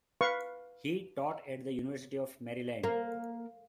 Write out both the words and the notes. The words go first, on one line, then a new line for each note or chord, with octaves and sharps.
He taught at the University of Maryland.
B4 F5 C#6
A#3